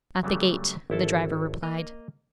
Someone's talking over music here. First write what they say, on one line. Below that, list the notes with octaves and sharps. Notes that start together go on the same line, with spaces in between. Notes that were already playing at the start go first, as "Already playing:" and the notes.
'At the gate,' the driver replied.
C#3 F#3 G3 A3
G#1 E4 A4 A5
A#3 D#5 A#5